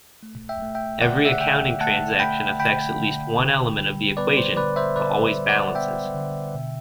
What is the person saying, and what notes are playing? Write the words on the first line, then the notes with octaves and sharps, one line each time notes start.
Every accounting transaction affects at least one element of the equation, but always balances.
A3
E5 G5
A3
E5 G5
D3 D5 F#5
E5
F#5
D3 E5 G5
A3 F#5 A5
A3 G5 B5
D3 G5 B5
D3
D3
G3
B3 B4 D5
C5
D3 B4 D5
C5 E5
D3 B4 D5
G3
D5 F#5
B3 E5 G5
D3
B2